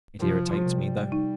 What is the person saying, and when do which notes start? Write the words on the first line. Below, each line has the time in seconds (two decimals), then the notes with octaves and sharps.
It irritates me though.
0.20 C3 F3
0.65 C3 G3
1.12 D#4